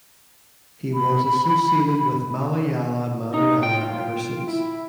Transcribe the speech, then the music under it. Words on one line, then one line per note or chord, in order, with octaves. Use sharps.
He was associated with Malayala Manorama ever since.
B5
D#4
F4 G5
E4